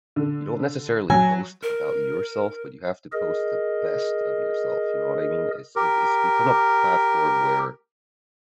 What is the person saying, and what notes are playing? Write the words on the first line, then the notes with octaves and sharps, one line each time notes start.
you don't necessarily post about yourself, but you have to post the best of yourself, you know what I mean? It's it's it's become a platform where,
D3
F#3 G#5
A#4
G#4 A#4 D#5
G4 A#4